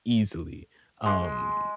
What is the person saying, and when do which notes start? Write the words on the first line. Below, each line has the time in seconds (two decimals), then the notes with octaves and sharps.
easily, um,
1.06 G#3